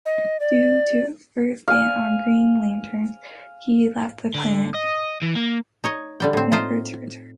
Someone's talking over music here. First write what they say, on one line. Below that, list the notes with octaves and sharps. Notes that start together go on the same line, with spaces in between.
Due to Earth's ban on Green Lanterns, he left the planet, never to return.
D#5
D5
F5 G#5
D3
D#5
E3
A#3
D#4 C#5 D#5
D3 G3 G5
A2 C4
D#4 F4 C5